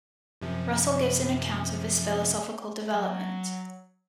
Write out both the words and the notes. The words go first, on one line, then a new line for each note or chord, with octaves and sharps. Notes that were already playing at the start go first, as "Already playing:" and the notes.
Russell gives an account of his philosophical development.
F#2 C3 F3
F#3